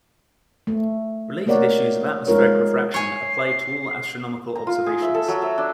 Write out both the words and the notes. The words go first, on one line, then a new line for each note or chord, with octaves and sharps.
Related issues of atmospheric refraction applied to all astronomical observations.
A3
A3 A#3 A#4 C#5 D5 F#5
G#3 D#4 F4 A#4 C#5
C#5 G#5 C7
A#5
F4
G#4
E5
A4
F#3
E5
D4